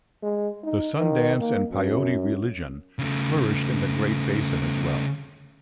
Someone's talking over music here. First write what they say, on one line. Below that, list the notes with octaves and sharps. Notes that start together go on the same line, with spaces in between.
The Sun Dance and Peyote religion flourished in the Great Basin, as well.
G#3
D#4
D#3
A#3
F#2
C#3 A3